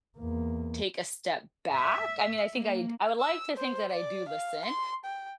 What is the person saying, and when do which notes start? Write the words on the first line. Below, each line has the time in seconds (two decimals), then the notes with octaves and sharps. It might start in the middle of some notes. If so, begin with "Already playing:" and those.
take a step back. I mean, I think I'd I would like to think that I do listen,
0.18 E2 A#3
1.74 E5
2.53 A#3
3.20 E6
3.57 C5
3.91 D5
4.29 F5
4.65 C6
5.05 G5